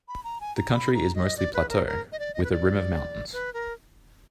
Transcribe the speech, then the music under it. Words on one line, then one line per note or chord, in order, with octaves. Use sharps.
The country is mostly plateau with a rim of mountains.
B5
A#5
G#5
A#5
B5
A#5
D#5
D5
B4
A#4
A#4
D#5
D5
D#5
B4
D5
B4
A#4